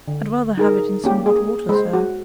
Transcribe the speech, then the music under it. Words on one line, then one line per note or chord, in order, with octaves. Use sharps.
"I'd rather have it in some hot water, sir."
D3
D#4 G#4 A#4
A#3 C#4 G4
G#4
G#3 C5
F#4